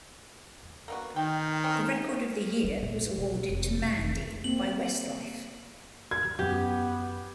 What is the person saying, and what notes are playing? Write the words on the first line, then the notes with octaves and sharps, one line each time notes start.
The Record of the Year was awarded to "Mandy" by Westlife.
A#3 B3 F#4
D#3 G5
C4 C#4
G3
A#2
B2
F1
B1
F1
A#3 C4 F#7
G#6
F#2 B3 G4